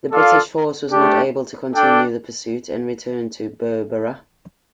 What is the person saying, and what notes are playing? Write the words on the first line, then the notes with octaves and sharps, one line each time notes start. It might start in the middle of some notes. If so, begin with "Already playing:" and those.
The British force was not able to continue the pursuit, and returned to Berbera.
F4 A4 D5 F5
A3 D4 G4
D4 A4 D5 G5